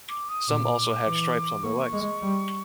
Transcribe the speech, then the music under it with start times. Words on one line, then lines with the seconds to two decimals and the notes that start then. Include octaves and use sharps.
Some also have stripes on their legs.
0.09 D6
0.29 D#6
0.48 A#2 D6
1.05 E3
1.63 A#3 C#6
1.92 G#3
2.22 G3